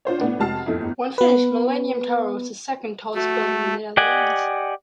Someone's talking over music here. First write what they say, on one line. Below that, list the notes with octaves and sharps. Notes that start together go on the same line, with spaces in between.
When finished, Millennium Tower was the second tallest building in the Netherlands.
D4 F4 C5 C#5
A2 B3 D4 F#5
F1 G#3 F#4 A5 F6 C7
F2 A2 A3 D#4 E4
G1 E2
B3 B4
A3 F#4
G4 D5 D#5 F#5 G#5